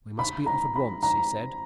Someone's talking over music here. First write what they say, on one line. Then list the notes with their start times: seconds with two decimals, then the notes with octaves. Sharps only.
"We must be off at once," he said.
0.19 B5
0.46 A#5
0.76 B5
1.03 A#5